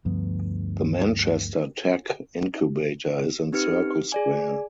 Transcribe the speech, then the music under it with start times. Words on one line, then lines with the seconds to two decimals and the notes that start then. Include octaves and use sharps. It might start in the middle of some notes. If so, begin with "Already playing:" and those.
The Manchester Tech Incubator is in Circle Square.
0.05 D2 G2 F3 B3
3.53 C4 D#4 G4 B4 F6 C#7
4.12 G#4 D5 G#5